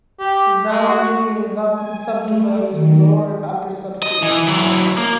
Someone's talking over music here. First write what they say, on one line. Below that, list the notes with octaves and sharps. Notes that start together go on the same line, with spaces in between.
The Valanginian is often subdivided in Lower and Upper substages.
G4
G#3
F#4
G#5
A3
D#3
D#5
E3
F#3 E4
A#3